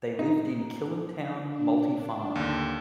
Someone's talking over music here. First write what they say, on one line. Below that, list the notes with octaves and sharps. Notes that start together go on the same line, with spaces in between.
They lived in Killintown, Multyfarnham.
D#4
D4
D#2 D3